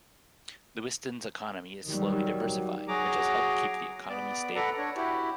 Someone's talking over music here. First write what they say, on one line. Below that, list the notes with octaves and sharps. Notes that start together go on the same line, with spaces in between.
Lewiston's economy is slowly diversifying, which has helped keep the economy stable.
D#3 F#3 G3
F#3 F#4 G#4 A#5 D6
B3 D5
A4 B4 D5 F#5 A#5
D4 C#5
E4 F#4 G4